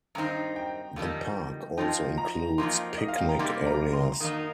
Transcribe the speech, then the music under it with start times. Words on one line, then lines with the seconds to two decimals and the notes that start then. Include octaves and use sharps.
The park also includes picnic areas.
0.15 G2 D#3 C4 D#4 A#5
0.56 G5
0.96 F2 D#3 G3 D#4
1.77 F2 F3 D#4 G5
2.18 A#5
2.58 F2 F3 A#3 D#4 C6
2.98 D#5
3.08 F5
3.19 G5
3.29 A#5
3.39 C3 G3 A#3 D#4 C6
3.66 A#5
3.93 C6
4.20 D#3 A#3 D#4 D#6